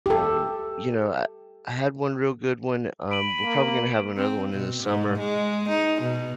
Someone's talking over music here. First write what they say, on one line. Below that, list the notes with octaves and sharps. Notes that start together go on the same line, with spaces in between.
um, you know, I I had one real good one, um, we're probably gonna have another one in the summer.
G4 A4
B5 D7 D#7 F#7
A#3
C4
B2
G#2
G#3
D#4
B2